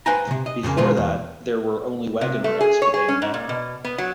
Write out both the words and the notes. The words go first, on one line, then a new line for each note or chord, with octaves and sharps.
Before that there were only wagon roads to Bay Minette.
B4 C5 F5 G5 G#5 A#5
C2 C3
D#5
F2 A#2 C#3 A#3
B2 D#3 G#3 A#3 F4 B4
E2
C3
A3
G#4
C#5
G#4
C#4
G#2
A#2
B2
B3
F#3